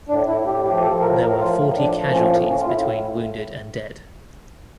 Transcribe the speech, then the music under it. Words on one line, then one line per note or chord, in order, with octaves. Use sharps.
There were forty casualties between wounded and dead.
A2 D4
A2 E4
A2 G4
F3 G4
G4
F3 A4
A2 A#4
A2 A#4
F3 F4
A2
F3 D4
F3
A#3
A2 C#4
A2 A#3
A2 C#4
F4
A2 E4